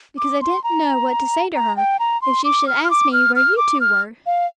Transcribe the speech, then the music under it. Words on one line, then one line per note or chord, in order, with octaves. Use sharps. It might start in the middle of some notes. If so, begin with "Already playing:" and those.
"Because I didn't know what to say to her, if she should ask me where you two were."
D6
C6
A#5
A#5
G5
A#5
C6
D6
F6
F6
D6
F6
F6
D6
F6
F5